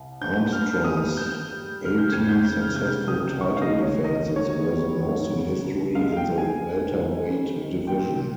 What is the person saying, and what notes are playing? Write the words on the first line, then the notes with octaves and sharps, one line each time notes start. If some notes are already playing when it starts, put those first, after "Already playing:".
Armstrong's eighteen successful title defenses were the most in history in the Welterweight division.
Already playing: C2
G2 G6
G2 F6
G3 D#6
G2 G6
G3
C#3 F6
G6
F2 G#6
G6
C#3 G6
F6
C3 G6
C#2 D#6
C#2 C#6
F5
D#5
C#2
C#5
D#3 D#5
D#3 C#5
G3
G#2
C#3
C#2
G#3 F5
F5
G5
G#3
G#5
F2
D#3
G3
D#3
A#2 G5